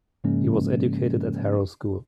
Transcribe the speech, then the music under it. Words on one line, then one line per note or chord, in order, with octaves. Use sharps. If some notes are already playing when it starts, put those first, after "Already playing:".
He was educated at Harrow School.
G#2 C#3 F3 G#3 A#3 C#4